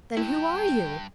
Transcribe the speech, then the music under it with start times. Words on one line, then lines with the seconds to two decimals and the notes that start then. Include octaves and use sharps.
"Then who are you?"
0.17 G2 E4 G5